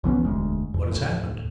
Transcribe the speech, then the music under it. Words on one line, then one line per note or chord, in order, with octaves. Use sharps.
"What has happened?"
B1 E3 B3 C#4
E1 D2 G#3
E2
D#2 A2